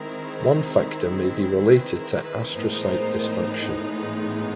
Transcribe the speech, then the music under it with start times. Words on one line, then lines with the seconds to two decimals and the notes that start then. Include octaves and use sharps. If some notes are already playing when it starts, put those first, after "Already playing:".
One factor may be related to astrocyte dysfunction.
Already playing: D#3 G#3 C4 E4 A#4
1.63 B4
1.93 A#4
2.23 B4
2.53 A2 E3 G#3 B3 D#4 A#4 C5